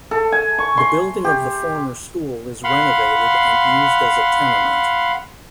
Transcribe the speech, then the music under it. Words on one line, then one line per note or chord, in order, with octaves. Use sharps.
The building of the former school is renovated and used as a tenement.
A4
G#5
C#6
C6
G4
F5 F#5 B5 C6